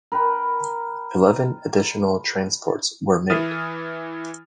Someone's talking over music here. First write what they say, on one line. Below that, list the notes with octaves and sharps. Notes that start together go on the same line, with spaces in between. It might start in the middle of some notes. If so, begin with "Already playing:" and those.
Eleven additional transports were made.
A#4 B4 G5 B5
E3 E4 D#6 F6 A6 D#7